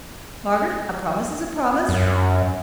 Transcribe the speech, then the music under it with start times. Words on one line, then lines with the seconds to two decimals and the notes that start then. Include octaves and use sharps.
Margaret, a promise is a promise.
1.89 F#2